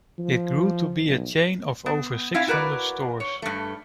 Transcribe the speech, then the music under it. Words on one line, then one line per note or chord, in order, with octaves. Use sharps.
It grew to be a chain of over six hundred stores.
F3
B1
B3
C4 E4 E5 F5
E4 F#4 A#4 B4 D5
C#5
G2 A3